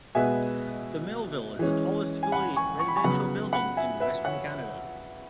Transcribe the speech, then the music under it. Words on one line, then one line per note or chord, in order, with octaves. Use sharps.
The Melville is the tallest fully residential building in western Canada.
B2 G#3 B3 E5 G#5
E3 G#3 C#4
G#5
F#5 B5
G#5 C#6
C#6
B5
G#5 C#6
C#3 F#3 B3 F#5 B5
F#5 B5
E5 G#5
B4 E5
C#5 F#5